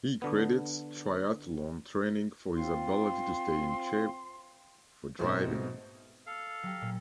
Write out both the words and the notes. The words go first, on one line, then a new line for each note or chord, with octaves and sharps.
He credits triathlon training for his ability to stay in shape for driving.
D3 B3
C4 F4 C6
G#2 B2 A3 C4 D#4 C5
A4 F5
F#3 G4
A#2